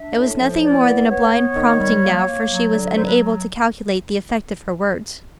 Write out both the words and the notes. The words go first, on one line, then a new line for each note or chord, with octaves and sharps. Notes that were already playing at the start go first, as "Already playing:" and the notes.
It was nothing more than a blind prompting now, for she was unable to calculate the effect of her words.
Already playing: D4 E5
A2
F3
E4 D5
B3
B3 C#5
B3
D#3
G3
A#3
A#3
F#3
D3
F#3 C5
B4